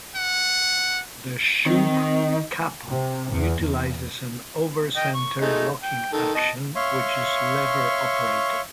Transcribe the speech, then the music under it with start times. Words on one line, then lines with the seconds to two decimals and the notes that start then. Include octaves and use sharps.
The Shubb Capo utilises an "over-centre" locking action, which is lever operated.
0.16 F#5
1.66 D#3 C4
2.87 C3
3.32 E2
3.61 E2
4.96 D#5 G5
5.15 C#6
5.41 G#3 A3 D#4
5.83 G5
6.13 D#3 A4
6.35 D#5 A5
6.76 C#5 E5 F5 C6 C#6